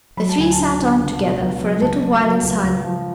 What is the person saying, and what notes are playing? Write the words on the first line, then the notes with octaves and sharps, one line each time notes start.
The three sat on together for a little while in silence.
F#3 B5
A5
D2 G#5
A5
D3
D3
C#2
B2
C#2
F#3
C#2 A5
F#3
F#3
C#2
C#2
F3